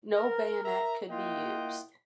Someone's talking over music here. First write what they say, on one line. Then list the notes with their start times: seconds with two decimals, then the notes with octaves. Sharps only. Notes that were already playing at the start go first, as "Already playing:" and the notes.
No bayonet could be used.
0.15 A#4
0.64 A#4 E5 A#5
1.09 A#3 E4 F4 D#5 F#5 G5